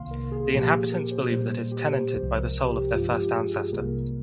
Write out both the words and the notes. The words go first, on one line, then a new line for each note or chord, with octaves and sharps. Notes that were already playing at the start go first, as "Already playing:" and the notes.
The inhabitants believe that it is tenanted by the soul of their first ancestor.
Already playing: C2 C3 D#3 A#3 F5 C6
A#4
G#4
A#2 F3 A#3 G4
G#4
A#4
C5
A#2 G3 A#3 C5
C5
G4
C5
C2 C3 F3 G#3 C5
A#4
G4
G2 F3 G#3 F4
G4
G#4
G#4
C2 C3 G3 A#3 A#4